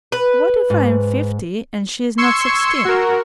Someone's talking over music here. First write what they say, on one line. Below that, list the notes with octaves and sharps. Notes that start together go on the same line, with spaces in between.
What if I am fifty and she is not sixteen?
B4
G#2
C6 C#6 E6 G#6 C#7
F#4 A#4